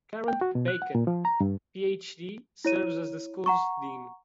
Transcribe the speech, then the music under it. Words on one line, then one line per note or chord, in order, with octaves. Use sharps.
Karen Bacon, Ph.D., serves as the school's dean.
G5
F#4
B2
F#6
F#5
A#2
F3
A#5
G2
E4 C#5 D#7
F#5 A#5 C#6